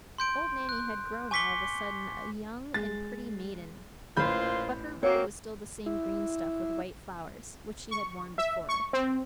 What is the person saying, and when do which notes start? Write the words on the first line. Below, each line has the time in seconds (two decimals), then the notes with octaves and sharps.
Old Nanny had grown all of a sudden a young and pretty maiden; but her robe was still the same green stuff with white flowers, which she had worn before.
0.18 C6 G6 D7
0.69 F#6
1.31 G#5 C#6 D6 B6 C#7 G7
2.74 G#3 A6
4.17 A1 A#2 F4 C5 B5 G6
5.03 A#3 C4 F#4 C#5
5.86 E4
7.91 C#6
8.38 E5
8.69 C#6
8.93 C4